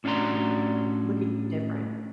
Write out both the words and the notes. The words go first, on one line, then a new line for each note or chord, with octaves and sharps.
look at y different.
A2 C#4 D4 F#4 A#5 C6